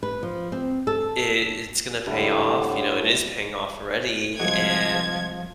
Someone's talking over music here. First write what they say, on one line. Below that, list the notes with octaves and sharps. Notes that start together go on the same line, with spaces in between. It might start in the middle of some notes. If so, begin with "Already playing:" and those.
i it's gonna pay off, you know, it is paying off already, and
B4
F3
C4
A4
A2 D3 G3 D4 E4
C2 F3 G#3 F#4 G#6